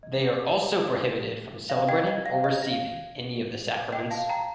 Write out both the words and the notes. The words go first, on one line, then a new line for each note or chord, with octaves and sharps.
They are also prohibited from celebrating or receiving any of the sacraments.
D#5
F5
D#5 G5
D#5 G5
F5
D#5
F5
D#5 G5
F5 A5
G5 A#5